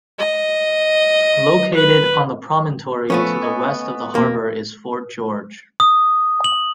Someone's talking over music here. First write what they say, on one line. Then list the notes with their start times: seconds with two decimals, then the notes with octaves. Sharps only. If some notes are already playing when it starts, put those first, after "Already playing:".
Located on the promontory to the west of the harbor is Fort George.
0.19 D#5
1.75 B4
3.10 F3 A3 B3 C#4
3.42 D#5 G#5 C#6
4.15 E2 B2 A#3
5.80 D#6
6.44 F#7